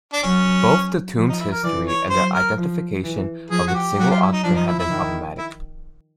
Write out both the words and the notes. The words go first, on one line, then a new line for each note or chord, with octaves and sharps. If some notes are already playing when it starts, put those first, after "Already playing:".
Both the tomb's history and the identification of its single occupant have been problematic.
D4
F#3 C#4
F3
D#4
E4
A#4
E3 D5
C#5
F#3 C5
A#4
F3
E3
F3 G#4
F#4
G4
F#3 F#4
F4
E4
D#4
F3 D4
D#4
E4
E4
D#3
E4